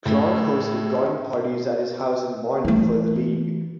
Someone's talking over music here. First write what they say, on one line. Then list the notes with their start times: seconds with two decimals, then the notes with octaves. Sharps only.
Clarke hosted garden parties at his house in Barnet for the League.
0.06 A2
2.65 E3 A3